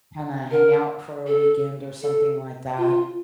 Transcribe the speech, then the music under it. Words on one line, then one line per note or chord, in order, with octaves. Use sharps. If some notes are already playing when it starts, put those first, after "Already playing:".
kinda hang out for a weekend or something like that,
A#4
A4
A4
F4